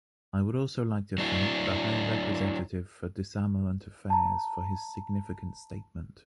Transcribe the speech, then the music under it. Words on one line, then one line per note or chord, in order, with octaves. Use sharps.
I would also like to thank the High Representative for Disarmament Affairs for his significant statement.
F#3 D4 E4
A5 A#5